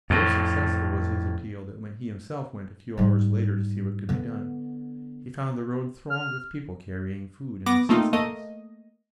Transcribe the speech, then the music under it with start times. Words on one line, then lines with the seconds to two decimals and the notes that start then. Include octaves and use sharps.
So successful was his appeal that when he himself went a few hours later to see what could be done, he found the road thronged with people carrying food and necessaries.
0.10 F2 A2
2.98 G#2 G3
4.09 D3 B3
6.10 F6
7.66 B3 D6 A#6
7.89 A3 A#3 C4 D#4 F4
8.13 A3 A#3 D#5